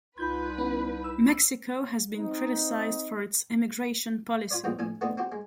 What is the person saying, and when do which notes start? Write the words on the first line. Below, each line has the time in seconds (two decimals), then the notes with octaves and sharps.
Mexico has been criticized for its immigration policy.
0.18 C2 D#4 F4 B4 B5 G6 G#6
0.58 B3 C#4 E4
1.04 E6
2.15 C4 D#4
4.51 F4 C#5 D5
4.64 E2 A#2 C4 D#4 G5
4.79 A#1 A2 A4 G#5
5.01 A3 B3 C4 D4 D#4
5.18 C4 F#4 G4
5.32 G#3